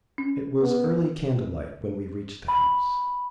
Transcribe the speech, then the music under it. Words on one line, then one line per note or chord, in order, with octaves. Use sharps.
It was early candle-light when we reached the house.
C#4
B3
B5